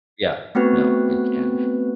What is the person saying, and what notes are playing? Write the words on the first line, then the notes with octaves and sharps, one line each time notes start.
Yeah. No. It can't.
A3 B3 C4 F#4 B4